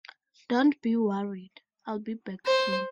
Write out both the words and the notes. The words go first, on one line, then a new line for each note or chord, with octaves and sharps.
Don't be worried, I'll be back soon.
C5